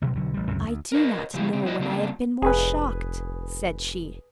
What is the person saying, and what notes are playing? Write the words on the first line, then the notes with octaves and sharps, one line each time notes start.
"I do not know when I have been more shocked," said she.
A1 G2 B2 F#3
B1 D3 F#3
A1 G3
C#2 F#2 C3
D2
A#4 B4 C#5 D#5
C#3 F3 F#3 B3 E4 G4
C#3 C4
G3 E4 B4 C5 D5 D#5
C#3 G3 A#3 C4 D4 A4
F1 G#4 B4